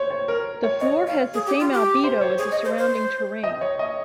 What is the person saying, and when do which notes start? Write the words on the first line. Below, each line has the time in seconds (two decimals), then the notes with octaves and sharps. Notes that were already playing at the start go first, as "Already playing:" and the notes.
The floor has the same albedo as the surrounding terrain.
Already playing: C5 C#5
0.10 C#5
0.28 A#4
0.63 C#5
0.80 C#5 D#5
1.07 F5
1.34 G#4
1.46 G4
1.60 F4
1.73 G4
2.04 C5
2.21 C#5
2.38 G#4
2.51 D#5
2.65 C5
2.78 C5
3.43 D#5
3.61 C#5
3.79 D#5